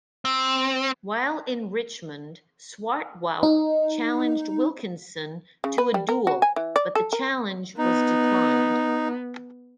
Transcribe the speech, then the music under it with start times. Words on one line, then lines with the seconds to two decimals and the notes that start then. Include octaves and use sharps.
While in Richmond, Swartwout challenged Wilkinson to a duel, but the challenge was declined.
0.25 C4
3.43 D#4
5.64 C#3
5.78 B4
5.94 G3
6.09 A#4
6.27 F#4
6.42 G#5
6.56 E3
6.76 D5
6.95 A4
7.13 A#4
7.78 B3 D#4